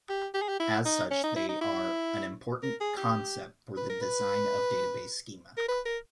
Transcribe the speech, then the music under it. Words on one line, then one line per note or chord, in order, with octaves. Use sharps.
As such they are an important concept for the design of database schema.
G4
G4
G#4
G4
E4
D#4
C#4
D#4
E4
D#4
E4
A#4
G#4
G4
B4
A#4
B4
A#4
B4
A#4